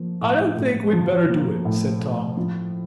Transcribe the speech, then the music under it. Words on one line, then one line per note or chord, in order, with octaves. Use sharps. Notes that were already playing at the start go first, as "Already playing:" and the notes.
"I don't think we'd better do it," said Tom.
Already playing: F3 A#3
A2
A2
F3
A#3
A2
A2
F3